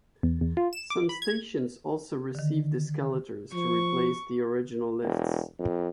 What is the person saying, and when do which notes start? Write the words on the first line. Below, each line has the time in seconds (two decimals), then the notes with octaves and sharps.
Some stations also received escalators to replace the original lifts.
0.23 E2
0.41 E2
0.57 F4
0.73 E7
0.90 D6
1.09 B5
1.22 G#6
2.35 D3 D#3
3.53 F3 C#6
5.03 E1
5.59 F2